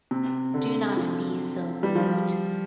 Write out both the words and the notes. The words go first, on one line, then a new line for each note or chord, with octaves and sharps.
Do not be so moved.
C3
D3
F3
G3
F3